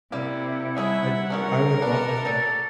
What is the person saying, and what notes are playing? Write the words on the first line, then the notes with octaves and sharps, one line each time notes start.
I I would want, like, a
C3 G3 A#3 E4 G4
G3 D#4 G#4 C#5 E5 F#5
B3 C#4 E4 A#4 C5
D4 A4 B4
C#4 F#4 D5 A5